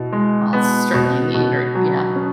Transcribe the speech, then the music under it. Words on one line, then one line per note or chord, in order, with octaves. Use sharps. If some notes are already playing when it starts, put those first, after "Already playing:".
uh, certainly need or yeah
Already playing: B2 E4
G#3
B3
B2
B2
F#3
C#4